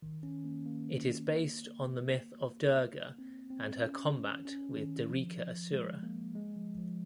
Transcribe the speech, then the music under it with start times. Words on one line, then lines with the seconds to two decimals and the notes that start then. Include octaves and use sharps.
It is based on the myth of durga and her combat with Darika asura.
0.02 D#3
0.23 C#4
0.44 A#3
0.66 A#3
3.19 C4
3.50 C4
3.82 C#4
4.45 C#4
4.77 D#3
5.09 F3
5.72 G#3
6.03 A#3
6.35 G#3
6.56 F3
6.78 F3